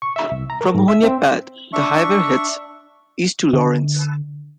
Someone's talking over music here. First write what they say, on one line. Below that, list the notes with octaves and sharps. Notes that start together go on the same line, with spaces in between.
From Honea Path, the highway heads east to Laurens.
C#6
E5
C2
A#5
A#4
G#2
E5
C4
D4 E5 C#6
D3